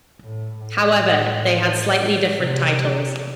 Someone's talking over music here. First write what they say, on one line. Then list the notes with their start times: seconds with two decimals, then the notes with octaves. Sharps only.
However, they had slightly different titles.
0.24 A2
0.59 A2
2.36 C3